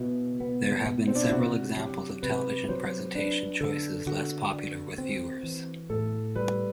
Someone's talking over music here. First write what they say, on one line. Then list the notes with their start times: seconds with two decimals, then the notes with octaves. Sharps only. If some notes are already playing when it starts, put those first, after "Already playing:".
There have been several examples of television presentation choices less popular with viewers.
Already playing: B2 E4
0.40 B3
0.86 B2
1.07 C4
1.15 D4
1.23 E4
1.31 C3 F#4
1.77 F#3 G4
2.23 C3 B4
2.69 F#3 C5
3.15 D4 B4
3.60 D3 A4
4.06 D3 F#4
4.52 D4
4.98 C4
5.43 E3
5.90 A2 A4
6.35 G3 B4